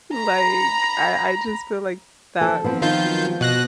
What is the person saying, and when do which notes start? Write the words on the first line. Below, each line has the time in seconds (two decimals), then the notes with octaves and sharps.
Like, I I just feel like that movie
0.14 A#5 B5
2.41 F3 A4
2.64 F3 B3 C4
2.82 D#3 F4 G6
3.41 B2 F#6 A#6